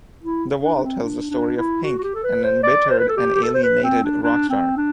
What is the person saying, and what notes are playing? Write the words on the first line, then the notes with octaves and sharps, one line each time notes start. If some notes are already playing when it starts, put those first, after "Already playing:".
"The Wall" tells the story of Pink, an embittered and alienated rock star.
E4
D4
D4
C4
D4
D4
E4
F#4
F#4
G4
A4
B4
C5
D5
C5
B4
A4
G4
G4
A4
C5
B4
C4
D4
D4
C4
D4